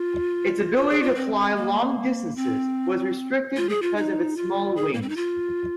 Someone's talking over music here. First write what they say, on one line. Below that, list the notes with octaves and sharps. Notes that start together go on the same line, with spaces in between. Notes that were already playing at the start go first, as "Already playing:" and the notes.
Its ability to fly long distances was restricted because of its small wings.
Already playing: F4
F4
G#4
F4
C4
A#3
C4
F4
G#4
F4
D#4
F4
G#4
A#3
C4
D#4
F4